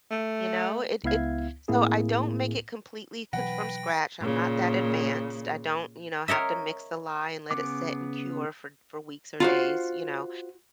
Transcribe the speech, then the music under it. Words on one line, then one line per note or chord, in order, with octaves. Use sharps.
you know? It it so, I don't make it completely c from scratch, I'm not that advanced I don't, you know, have to mix the lye and let it sit and cure for for weeks or days, you know?
A3
C#2 B3 E4 E5 F5 G#6
A2 A#3 C4 E4 G#4
B2 E3 F#3 B4 F#5 G5 A#6
A#2 C#3
A#4 C#5 D#5 E5
C#3 B3 D6
F4 F#4 C5